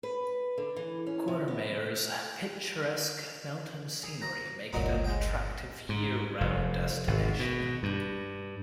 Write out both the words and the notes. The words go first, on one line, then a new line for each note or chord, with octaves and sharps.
Courmayeur's picturesque mountain scenery make it an attractive year-round destination.
B4
D3
E3
C#4
C3
B3
G#4
A#5
G1 C#2 A#2 F#3 D#4
G#3 G5
G#2
F1
G#1
B2
G2